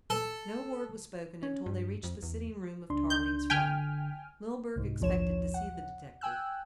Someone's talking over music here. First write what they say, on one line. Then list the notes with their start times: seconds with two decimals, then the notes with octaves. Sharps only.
No word was spoken until they reached the sitting-room of Tarling's flat. Milburgh expected to see the detective.
0.10 A4
1.43 C#4
1.66 G2
2.03 F2
2.23 E2
2.90 C#2 D4 C6
3.10 G6
3.50 G1 D3 G5 G#5 F6 B6
4.76 C2 G#2
5.00 A#1 D#2 F3 C#5 E7
5.54 F#5
6.21 G5 G#5 E6 F#6